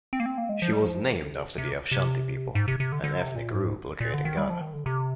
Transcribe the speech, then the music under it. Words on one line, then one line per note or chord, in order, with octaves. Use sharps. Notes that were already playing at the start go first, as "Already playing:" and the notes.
She was named after the Ashanti people, an ethnic group located in Ghana.
C4
A#3
C4
A#3
G#3
F3
G3
F3
D#3
D3
C3
C3
C3
G#2
C3
C3
D3
D3
C3
A#2
G#2
A#2
D3
D#3
G3
F3
D#3
D3
C3